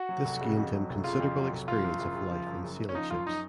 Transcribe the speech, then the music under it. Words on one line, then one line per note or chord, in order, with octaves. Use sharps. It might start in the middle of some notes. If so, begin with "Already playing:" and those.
This gained him considerable experience of life in sailing ships.
Already playing: F#4
F#3
F1
C#3
F2
F#3
F1
C#3 F4
F2
F#3
F1
F3 F4
F#2
F#1
F#1
F3
F#2
F#1
F#1
C#4
F3 D#4
F#2 F4
D#4